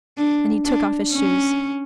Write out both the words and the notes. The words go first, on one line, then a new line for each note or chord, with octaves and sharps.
And he took off his shoes.
D4
D4
C#4